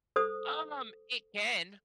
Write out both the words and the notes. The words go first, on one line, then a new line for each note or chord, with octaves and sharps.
Um, it can.
A4 C5 D#6